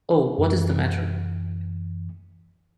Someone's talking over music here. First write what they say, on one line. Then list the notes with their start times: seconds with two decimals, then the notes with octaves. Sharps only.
Oh, what is the matter?
0.38 F#2 E3